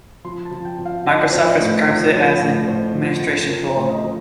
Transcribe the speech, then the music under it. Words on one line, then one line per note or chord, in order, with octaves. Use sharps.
Microsoft describes it as an "administration tool".
F3 C6
A5
F3
G5
F3
F5
F3 D#5
D5
F3 C5
D5
A2
F3
F3
A2
A2 C5
F3
F3
F3 A#4
C5
A2
D#5
F3